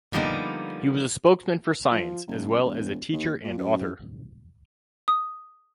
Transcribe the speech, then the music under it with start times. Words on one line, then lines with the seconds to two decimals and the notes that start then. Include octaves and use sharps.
He was a spokesman for science, as well as a teacher and author.
0.13 D3 F3 G3 A#3 B3 D#4
1.92 F3
2.27 F#1
2.64 E1
3.12 D#2
3.44 A#2
3.58 F#2
5.08 D#6